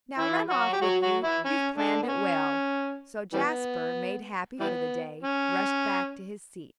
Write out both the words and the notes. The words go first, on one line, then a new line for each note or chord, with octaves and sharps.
"Now run off with you, you've planned it well." So Jasper, made happy for the day, rushed back to his seat.
E3 E4
F#3 F#4
G4
F#3 F#4
F#3 F#4
E3 E4
C#4
D3 D4
B3
C#4
E3 G3 B3
E3 G3 B3
C#4